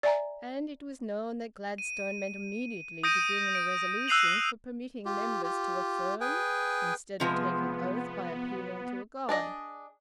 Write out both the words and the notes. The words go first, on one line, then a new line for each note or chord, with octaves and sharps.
And it was known that Gladstone meant immediately to bring in a resolution for permitting members to affirm, instead of taking oath by appealing to a God.
D5 E5 G#5 A#5
D#7
D#6 G6 A#6 D7 D#7
D7
E6 F#6 C7 D#7 F7 F#7
F4 G4
F4 G4
G#4 B4 G5 G#5
C3 F3 G#3 B3
D4 G#4 D#5